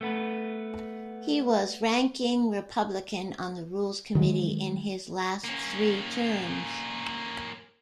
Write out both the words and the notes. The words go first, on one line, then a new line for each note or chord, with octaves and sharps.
He was Ranking Republican on the Rules Committee in his last three terms.
A3 B3 B4
D#3 E3 F#3 G#3
A#3 C#4